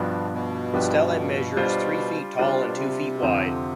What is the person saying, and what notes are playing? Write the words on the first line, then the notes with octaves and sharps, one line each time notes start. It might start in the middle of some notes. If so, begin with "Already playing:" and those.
The stele measures three feet tall and two feet wide.
Already playing: G2 B2 F3 B3 D4 G4
B2
G2 F3 B3 D4 G4
G3 D4 F4 C5
D3 G3 D4 F4 C5
C3
B2
C3
F2 D3 F3 C4 G4